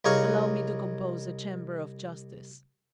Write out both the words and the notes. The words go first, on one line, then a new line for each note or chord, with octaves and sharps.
"Allow me to compose a chamber of justice."
C2 D#4 G#4 C#5 F5 C#6